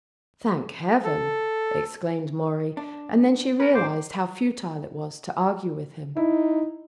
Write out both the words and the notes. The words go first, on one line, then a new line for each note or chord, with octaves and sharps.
"Thank heaven!" exclaimed Maurie, and then she realized how futile it was to argue with him.
A4
D4
A#4 B4
G#2 C5 D6
D#4 E4